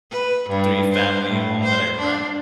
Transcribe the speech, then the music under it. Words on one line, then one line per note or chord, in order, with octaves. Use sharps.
three-family home that I rent.
B4
G2
C5
A2
C5
D4